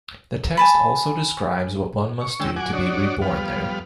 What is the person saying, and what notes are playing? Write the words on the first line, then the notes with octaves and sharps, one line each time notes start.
The text also describes what one must do to be reborn there.
G#5 A5 B5
C#6
D3 G#3 C#4 G5 E6
F#2 F#5 G#5 D6
D4 D#4 F#4 C#5 D5
F2 G3 B3 F5